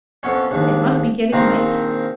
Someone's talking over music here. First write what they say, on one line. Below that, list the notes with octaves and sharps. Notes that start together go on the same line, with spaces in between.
It must be getting late!
F2 B3 C#4
A#1 D#2
A#1 D#3 C4 A#4 F5